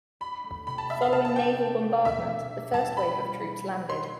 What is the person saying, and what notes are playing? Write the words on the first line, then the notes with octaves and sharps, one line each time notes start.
Following naval bombardment, the first wave of troops landed.
D4 B5
A3
C3 B5
A5
A3 E5
F5
C3 A5
A5
D4 G5
A4
D4
B2 E5
D4
D4
G3 A5
B4 B5
F4
B4
F4
B4 C6